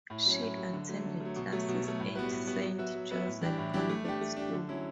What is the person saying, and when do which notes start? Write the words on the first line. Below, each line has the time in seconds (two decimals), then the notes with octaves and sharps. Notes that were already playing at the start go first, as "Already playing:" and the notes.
She attended classes at Saint Joseph Convent School.
0.10 A2
0.26 F#3 C#4
0.42 A2
0.58 F#3 C#4
0.73 D3
0.89 F#3 A3
1.05 D3
1.20 F#3 A3
1.36 B2
1.52 F#3 A3
1.69 B2
1.84 F#3 A3
2.00 A2
2.15 G3 B3 F#4 B4
2.31 A2
2.47 G3 B3 F#4 B4
2.63 F#3
2.78 B3 F#4 B4 E5
2.95 F#3
3.11 B3 F#4 B4 E5
3.27 A2
3.41 E3 G3 D4 G4
3.58 A2
3.74 E3 G3 D4 G4
3.90 A3
4.05 D4 G4
4.21 A3
4.36 D4 G4
4.53 D3
4.68 F#3 C#4 E4